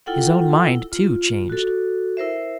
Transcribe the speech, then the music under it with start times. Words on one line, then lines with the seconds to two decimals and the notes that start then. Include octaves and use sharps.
His own mind, too, changed.
0.06 E4 F4 A4 F#5 G5
0.64 E4
0.92 F4
1.50 F#4 A4
2.17 E4 A#4 C5 E5